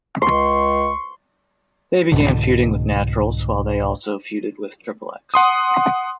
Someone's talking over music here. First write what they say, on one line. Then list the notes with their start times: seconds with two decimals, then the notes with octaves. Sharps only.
They began feuding with Naturals while they also feuded with Triple X.
0.22 C#2 C6 C#6
2.12 C2 G#2 B2 D3
5.34 F#5 C6 D#6